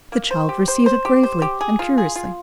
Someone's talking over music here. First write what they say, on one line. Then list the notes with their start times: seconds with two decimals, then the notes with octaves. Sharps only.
The child received it gravely and curiously.
0.12 A#3
0.31 C5
0.49 G4
0.68 C5
0.86 C5
1.05 G4
1.23 C5
1.42 G4
1.61 G#4
1.79 F4
1.98 G#4
2.16 F4